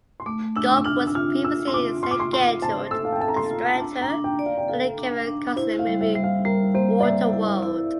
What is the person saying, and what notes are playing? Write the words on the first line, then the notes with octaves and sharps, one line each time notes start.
Gaup was previously scheduled as director for the Kevin Costner movie "Waterworld".
C6
A3 D6
D4 E6
D6
E6
D4 F6
E6
F4 F6
D4 E6
C6
F4 D6
F4 C6
D6
C6
F4 C6
C5 A5
A4 E6
F5
G5
A4 A5
A#5
C6
F4
D4
A#5
D4
G5
D5
F5
G5
A4 F5
D4
D4
E4 C5
F5
G3
E5
G3 E5
F5
G3 A#4
A#3 C5
D5
G3 E5
E4
E4